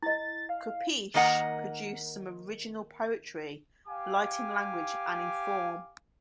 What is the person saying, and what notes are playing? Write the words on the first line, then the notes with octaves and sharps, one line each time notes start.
Kopisch produced some original poetry, light in language and in form.
E4 D#5 A6
F5
D#3 A#3 D#5 F#5
G4 F5 G#5 D6